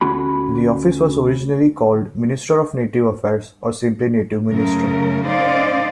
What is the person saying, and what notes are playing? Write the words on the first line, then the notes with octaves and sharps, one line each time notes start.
The office was originally called Minister of Native Affairs, or simply Native Minister.
D2 C#4 F#4 B5
F#2 C#3 A3 A#4
C#4 D#4 C5 D5 D#5 F5